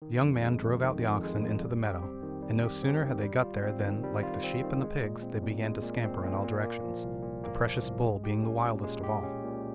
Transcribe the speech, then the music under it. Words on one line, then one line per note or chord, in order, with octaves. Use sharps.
The young man drove out the oxen into the meadow, and no sooner had they got there than, like the sheep and the pigs, they began to scamper in all directions, the precious bull being the wildest of all.
D#3
F2
G#3
F2
D#3
F2
G#3
F2
G3
G4
C4
D#3
G3
G4
C4
D#3
G3
F4
C4
D#3
G3
F4
C4
D#3
G#3
A#2
C4
A#2
G#3
A#2
C4
A#2
A#2
A#3
F3
C2
A#2
A#3
F3
C2
G#3
G4
C#4
A#2
G#3
G4
C#4
A#2